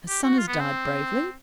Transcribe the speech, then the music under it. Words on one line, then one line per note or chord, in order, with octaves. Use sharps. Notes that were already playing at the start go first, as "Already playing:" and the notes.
Her son has died bravely.
G4
F#4
F4
B3
C4